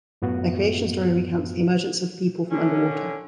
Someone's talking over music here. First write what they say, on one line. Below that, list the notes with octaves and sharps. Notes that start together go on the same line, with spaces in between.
Their creation story recounts the emergence of the people from underwater.
F#2 A2 B3 F4 F#4
D3 C#4